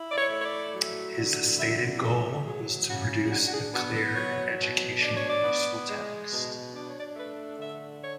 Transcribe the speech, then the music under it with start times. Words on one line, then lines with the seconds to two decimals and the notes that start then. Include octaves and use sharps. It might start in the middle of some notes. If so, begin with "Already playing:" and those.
His stated goal was to produce a clear and educationally useful text.
Already playing: E4
0.10 D5
0.15 C#5
0.30 A3
0.39 C#5
0.44 D5
0.73 F#3
1.17 D3
1.58 E4 E5
2.01 A3 A4
2.44 F#3 G#4
2.88 C#3 F#4
3.26 G#4
3.30 D4 F#4
3.45 F#4
3.52 G#4
3.73 B3 F#4
3.94 A4
4.16 F#3 C#5
4.58 B2
5.01 D4 D5
5.15 C#5
5.29 D5
5.44 B3
5.88 G#3
6.31 B2
6.74 D4 D5
6.86 C#5
6.97 D5
7.16 A3 B4
7.59 D3 E5
8.02 C#5